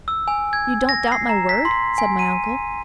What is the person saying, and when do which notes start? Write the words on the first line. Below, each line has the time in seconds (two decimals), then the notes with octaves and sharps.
"You don't doubt my word?" said my uncle.
0.08 E6
0.28 G#5
0.53 G#6
0.89 A#6
1.12 C7
1.29 A#5
1.49 B6
1.65 C6
1.98 G#5
2.19 D#7